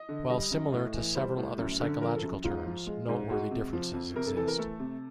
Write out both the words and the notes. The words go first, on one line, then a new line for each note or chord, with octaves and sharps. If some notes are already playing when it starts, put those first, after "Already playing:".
While similar to several other psychological terms, noteworthy differences exist.
Already playing: D#5
D3
G3 D#5
F#2
A2
E3
G3 C5
A2
F#2
D3
F3 A#4
A4
F#2
G#2 F4
F3
G#3
G#2
G#3 F#4
C3
F3
F2
C3 A#4
A4
E3 A4
A#4
A3 A4
C3